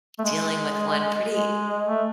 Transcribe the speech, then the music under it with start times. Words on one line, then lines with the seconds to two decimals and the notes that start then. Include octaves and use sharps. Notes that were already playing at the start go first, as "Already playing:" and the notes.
dealing with one pretty
0.19 A3
0.24 G#3
1.32 G#3
1.87 A3